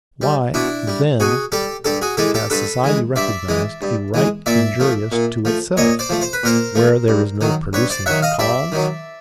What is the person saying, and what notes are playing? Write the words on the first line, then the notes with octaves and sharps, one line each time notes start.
Why, then, has society recognized a right injurious to itself, where there is no producing cause?
G3
B2 D4 E4
G3
B2 F#4 G#4
G3 G4 A4
G2 G4 A4
F#4 G#4
E3 G#3 G4 A4
G4 A4
G2 A4 B4
E3 G#3
G2 D5 E5
E3 G#3
G2
E3 G#3
A#2 D5 E5
F3 A3
A#2
F3 A3
A#2 C#5 D#5
C5 D5
F3 A3
C5
B4
A#2 A#4 C5
F3 A3
G2
D#3 F#3
G2 B4 C#5
C5 D5
D#3 F#3 E5 F#5
D#5 F5
G2 D5 E5
D#3 F#3